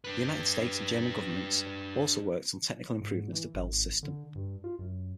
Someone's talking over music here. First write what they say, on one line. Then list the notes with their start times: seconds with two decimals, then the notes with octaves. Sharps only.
The United States and German governments also worked on technical improvements to Bell's system.
0.04 D4 B4
3.01 G#2
3.32 E3
3.54 G#1
4.03 D3
4.35 G2
4.64 F4
4.79 F#2